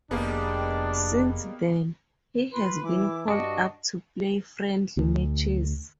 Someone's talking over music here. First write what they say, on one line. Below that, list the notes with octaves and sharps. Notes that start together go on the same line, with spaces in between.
Since then, he has been called up to play friendly matches.
F1 D#3 G3 A#3 B3 D4 G#4
F4 B4 C6
E3 E4 D6
G2 D4 F#4 D#5
D2